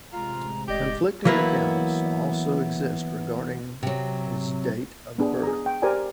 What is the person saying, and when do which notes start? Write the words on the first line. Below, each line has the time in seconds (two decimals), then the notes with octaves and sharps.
Conflicting accounts also exist regarding his date of birth.
0.13 A1 C3 G#3 F4 A#5
0.68 F1 G4 D5 D#5
1.25 E3 F#3 A#3 B3 E4
3.83 C3 F#3
5.18 B3 D4 G#4
5.43 G#4 A#5
5.66 G5
5.82 G4 A#4 C5 D5 G#5